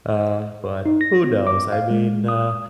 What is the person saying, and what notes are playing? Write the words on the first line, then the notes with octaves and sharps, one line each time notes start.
uh, but who knows, I mean, uh,
D#4
A#6
B3
D6
F5
G#3
D#6